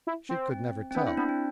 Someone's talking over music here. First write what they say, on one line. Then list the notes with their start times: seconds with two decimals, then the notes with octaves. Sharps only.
She could never tell.
0.07 E4
0.29 C4
0.51 C4
0.91 C4
0.95 B3 D4
1.07 E4
1.17 B3 D4
1.29 C4